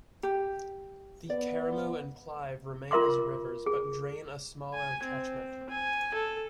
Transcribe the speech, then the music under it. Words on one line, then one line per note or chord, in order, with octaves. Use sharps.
The Karamu and Clive remain as rivers, but drain a smaller catchment.
G4
B3 D5
F4 A#4 E5 C6 D6
G#4
G#5
C4
G#5
A4